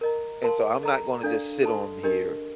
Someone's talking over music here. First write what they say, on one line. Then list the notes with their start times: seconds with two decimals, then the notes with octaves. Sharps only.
and so, I'm not gonna just sit on here,
0.01 A#4 D#5 A#5
0.42 A#4 F5 A5 C6
0.83 A4 D#5 A#5
1.23 D4 A4 D5 F5
1.63 A4 D#5 A5 C6
2.03 D4 G4 A#4 D#5